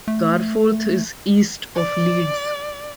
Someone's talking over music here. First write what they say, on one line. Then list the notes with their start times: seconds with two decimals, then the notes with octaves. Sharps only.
Garforth is east of Leeds.
0.08 A3
1.75 D5